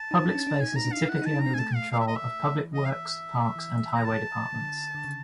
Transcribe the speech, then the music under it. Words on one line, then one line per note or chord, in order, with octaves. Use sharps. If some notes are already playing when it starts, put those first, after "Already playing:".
Public spaces are typically under the control of public works, parks, and highway departments.
Already playing: A5
D#4
D4
C#4
D4
D#4 G#5
D#4 A#5
D4
D#4 F5
E4 F#5
D#4 A5
D4
C4 A#5
G#5
A3 A5
F5
F5
E5
D#5
E5
E3
D#5
F5
E5
E3
A#5
A5
D3
D3
C#3